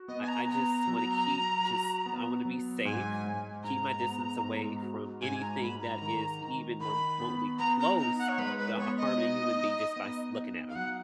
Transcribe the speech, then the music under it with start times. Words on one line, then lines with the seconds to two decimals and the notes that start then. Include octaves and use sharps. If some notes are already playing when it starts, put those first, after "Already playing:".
I I just wanna keep, just I wanna be safe, keep my distance away from anything that is even remotely close to harming human being just by s looking at ‘em.
Already playing: F#4
0.08 B3 D#5
0.22 G#5
0.28 A#5
0.48 B3 A#5
0.88 F#3
1.27 F#3
1.66 F#4
2.06 B3
2.45 F#3
2.85 G#2 G#5
3.25 G#2
3.63 G#2 A#5
4.03 B3
4.43 G#2
4.83 F#4
5.22 G#2 G#5
5.42 A#5
5.62 G#2 B5
5.81 A#5
6.02 D#3
6.41 D#3
6.80 D#3 B5
7.20 B3
7.59 B3 A#5
7.79 A#5
7.99 D#4 A#5
8.19 F#5
8.29 C#5
8.38 G#3 B4
8.58 B4
8.78 B3 C#5
8.98 D#5
9.17 D#4
9.57 D#4
9.96 B3
10.36 D#4
10.69 F5
10.75 F#3 F#5